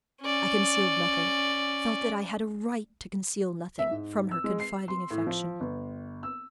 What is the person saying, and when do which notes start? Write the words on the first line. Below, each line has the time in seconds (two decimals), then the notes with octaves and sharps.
I concealed nothing--felt that I had a right to conceal nothing--from her confiding affection.
0.21 C#4 D5
3.79 E5
3.91 G#2
4.31 E6
4.44 G#3
4.60 C7
4.88 C6
5.11 A2
5.27 F3
5.60 G1
6.23 E6